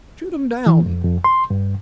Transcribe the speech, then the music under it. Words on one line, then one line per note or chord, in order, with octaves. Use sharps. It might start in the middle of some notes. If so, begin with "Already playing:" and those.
"Shoot 'em down!"
E3
F2
F2
C6
G2